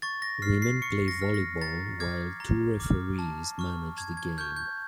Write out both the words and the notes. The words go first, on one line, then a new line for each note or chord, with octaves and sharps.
Women play volleyball while two referees manage the game.
C#6 A6
A#6
F6 C7
C7
C#6 C#7
A#6
F6
A#6
A#5 A6
D6 F6 G#6
A#5
D6 F6
A5
C#6 F6
A5 G#6
G#6
C#6 F6 G6
G6